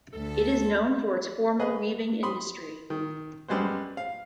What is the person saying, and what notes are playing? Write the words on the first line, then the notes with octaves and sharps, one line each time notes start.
It is known for its former weaving industry.
D2 A4
G#4 B4 D#5
B5 C6 D#6
D#3
F#2 G3 G#3 B3 C5
F5